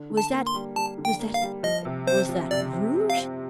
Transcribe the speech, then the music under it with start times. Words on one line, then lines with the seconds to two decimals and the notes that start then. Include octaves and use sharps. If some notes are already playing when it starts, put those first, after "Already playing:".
Was that--was that--was that rouge?
Already playing: D3
0.10 D3
0.17 A5
0.32 A#3
0.47 C6
0.54 G3
0.76 G3 A5
0.98 D3
1.05 G5
1.19 A#3
1.34 F5
1.42 G3
1.63 F3 D#5
1.85 C3
2.07 C4 C5
2.29 F3
2.51 C3 D5
2.73 C4
2.95 C4
3.10 F5
3.17 C4